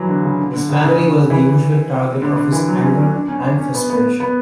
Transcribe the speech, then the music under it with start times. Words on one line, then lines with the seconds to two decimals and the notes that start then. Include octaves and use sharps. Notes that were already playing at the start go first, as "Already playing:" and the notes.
His family was the usual target of his anger and frustration.
Already playing: E3 F#3
0.08 D3
0.23 C#3
0.39 D3
0.54 D3
0.69 C#3
0.84 C#3
1.07 D3
1.30 E3
2.22 D3
2.37 D3
2.52 E3
2.68 F#3
2.83 C#4
2.99 C#4
3.13 D4
3.28 C#4
3.43 D4
3.59 C#4
3.74 B3
3.90 B3
4.20 B3